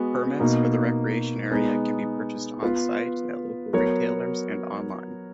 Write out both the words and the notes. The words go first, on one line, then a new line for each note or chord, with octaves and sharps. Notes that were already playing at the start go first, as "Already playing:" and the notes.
Permits for the Recreation Area can be purchased on-site, at local retailers and online.
Already playing: G#3 B3 F#4
B2 A#3 D#4
G#3 B3 D#4
B3 F4 B4
F#3 B3 F#4 A#4 C#5